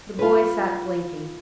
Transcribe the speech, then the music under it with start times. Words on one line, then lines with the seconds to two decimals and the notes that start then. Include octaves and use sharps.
The boy sat blinking.
0.19 F4 B4